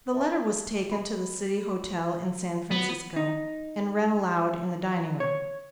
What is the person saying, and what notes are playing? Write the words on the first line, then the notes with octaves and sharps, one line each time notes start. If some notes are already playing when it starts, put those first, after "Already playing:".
The letter was taken to the City Hotel in San Francisco, and read aloud in the dining-room.
E5 A5
D#5 B5
F#3 B3
D#4
C#5